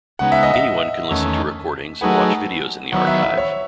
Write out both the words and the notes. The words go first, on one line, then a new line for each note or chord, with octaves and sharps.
Anyone can listen to recordings and watch videos in the archive.
C#3 G#3 B3 D#4 F#5
E5
D#5
E5
E2 D#3 A3 C#4
F#3 A3 D#4 G#4 B4 F#5
D#3 F#3 B3 E4 F#5
E5
E5
C#5